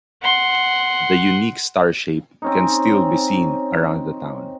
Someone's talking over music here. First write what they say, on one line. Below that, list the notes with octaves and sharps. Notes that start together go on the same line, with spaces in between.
The unique star shape can still be seen around the town.
F#5 C6
C4 C#4 D#4